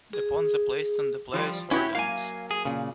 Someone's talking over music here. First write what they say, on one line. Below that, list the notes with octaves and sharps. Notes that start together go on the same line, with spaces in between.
The pawns are placed on the players' third ranks.
G#4
F3 G3 D5
C#4 E4 F#4 G4
F#3 A#3 F5 G#5
G#4
A#2 C#3